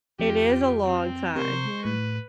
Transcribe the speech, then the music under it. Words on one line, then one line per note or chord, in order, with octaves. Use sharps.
It is a long time, yeah.
F2 F4 G4
C4
C3 A#4 C5 C#6
A2 B4